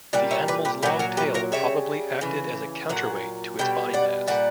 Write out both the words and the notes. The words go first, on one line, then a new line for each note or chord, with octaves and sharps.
The animal's long tail probably acted as a counterweight to its body mass.
A#2 G3 D5 F#5
C#5 E5
B4 D5
G4 B4
A#2 F#3 G4 B4
F#4 A#4
G4 B4
A#4 C#5
C#3 G3 C#5 E5
C#3 E3
A#2 F#3 F#5
B2 G3 G5
D5 F#5
A#2 G3 D5 F#5